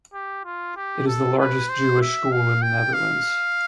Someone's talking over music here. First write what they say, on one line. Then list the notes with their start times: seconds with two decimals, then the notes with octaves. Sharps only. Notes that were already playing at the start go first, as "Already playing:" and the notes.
It is the largest Jewish school in the Netherlands.
0.13 G4
0.45 F4
0.76 G4
1.07 A4
1.38 B4
1.69 C5
2.01 E5
2.32 F5
2.62 G5
2.93 F5